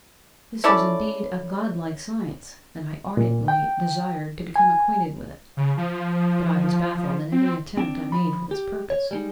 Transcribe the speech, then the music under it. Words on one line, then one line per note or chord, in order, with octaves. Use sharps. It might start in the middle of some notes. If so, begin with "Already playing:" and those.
This was indeed a godlike science, and I ardently desired to become acquainted with it. But I was baffled in every attempt I made for this purpose.
C#4 E4 A4 D5
A#2
G5
G#5
C#3
F3
C4
C4 D4
F3 B5
G4
C#5
G3 G#3 D#4